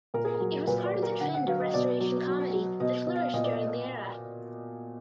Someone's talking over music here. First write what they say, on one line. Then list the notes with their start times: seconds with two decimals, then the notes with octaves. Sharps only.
It was part of the trend of Restoration Comedy that flourished during the era.
0.14 A#2 A#4
0.25 G#4
0.34 A#4
0.40 F#3
0.67 A#2 B4
0.85 D5
0.93 F#3
1.03 A#4
1.20 D3 F#5
1.34 F#5
1.47 F#3 F5
1.60 D#5
1.74 B2 D5
2.00 F#3
2.28 F#3
2.54 F#3
2.80 B2 D#5
3.07 B2
3.15 F5
3.34 A#2 D#5
3.44 D5
3.53 D#5